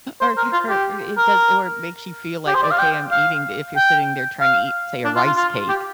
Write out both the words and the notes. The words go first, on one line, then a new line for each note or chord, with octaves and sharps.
Or or i it does or it makes you feel like, "Okay, I'm eating d" if you're sitting there tryna eat, say, a rice cake,
C5
A#4
F4
G4
A#4
G4
C5
D5
F5
G5
F5
G5
F5
D4
F4
F4
F4
G4